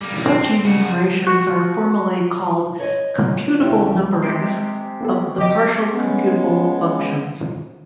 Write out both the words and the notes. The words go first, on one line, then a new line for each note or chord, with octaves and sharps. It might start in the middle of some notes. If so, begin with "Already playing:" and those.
Such enumerations are formally called computable numberings of the partial computable functions.
G3 A#3
C4
C#3 F#4
F#4
C#5 D#5
D#2 C#3 E4 G4
C3 G#3 G4 C7 D7
A#3 B3 A4
F#3 G4 D#5
C#3 G#3 B3